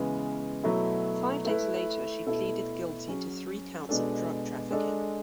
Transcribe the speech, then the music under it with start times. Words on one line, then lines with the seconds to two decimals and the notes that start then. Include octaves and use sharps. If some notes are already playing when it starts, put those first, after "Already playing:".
Five days later she pleaded guilty to three counts of drug-trafficking.
Already playing: C#3 E3 G#3 B3
0.64 B2 F#3 A3 E4
1.45 A3 E4 B4
2.26 B2 A3 E4 A4
3.07 F#3 C#4 G#4
3.89 B2 G#3 D4 A4
4.70 G#3 D4 A4